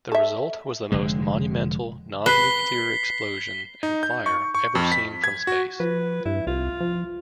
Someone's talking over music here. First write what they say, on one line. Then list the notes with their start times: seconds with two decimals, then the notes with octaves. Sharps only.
The result was the most monumental non-nuclear explosion and fire ever seen from space.
0.12 A4 E5
0.92 F1 D3 G#3
2.26 B4 B6 C7 G7
3.83 D#4
4.03 G6
4.26 C#6
4.55 C#6
4.75 F2
4.92 B6
5.24 G#6
5.47 F#4
5.80 F3 B4
6.25 G2 E4
6.47 C2 F4
6.81 F3